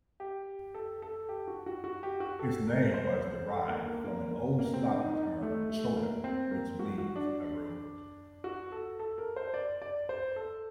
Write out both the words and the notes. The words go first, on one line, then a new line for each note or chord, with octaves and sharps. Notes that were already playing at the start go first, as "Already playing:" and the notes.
Its name was derived from an old Slavic term "choda", which means a road.
G4
A4
A4
G4
F#4
F#4
F#4
G4
F#4
A4
A#4
C5
C5
A4
A#3
A#3
A#3
A#3
A#3
C4
D4
D#4
D#4
A3
A3
A#3
C4
A#3
F#4
F#4
D4
F#4
A4
A4
A#4
C5
D5
D5
C5
A4